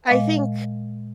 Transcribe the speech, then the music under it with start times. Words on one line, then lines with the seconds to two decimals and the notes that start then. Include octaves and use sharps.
I think
0.07 A#2 G#3 D#5 F5